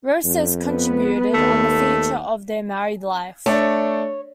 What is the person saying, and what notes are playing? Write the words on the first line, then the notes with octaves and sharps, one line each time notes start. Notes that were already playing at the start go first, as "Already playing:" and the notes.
Roces contributed on the feature of their married life.
F2
B3 B4
D#2 A3
A3 D4 C#5